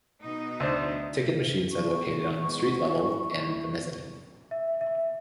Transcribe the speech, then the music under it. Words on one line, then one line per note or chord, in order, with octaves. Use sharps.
Ticket machines are located on street level and the mezzanine.
B2 D#4
D2 D4 C5
F3 C#6
A2
G#2 G#3 B3
E4
E5
E5